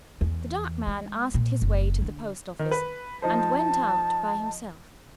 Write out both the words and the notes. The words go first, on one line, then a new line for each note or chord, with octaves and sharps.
The dark man asked his way to the post-office and went out by himself.
E2
G#3
A#2
F#1
D3
D#3
B4
F3 D#4 C5 A5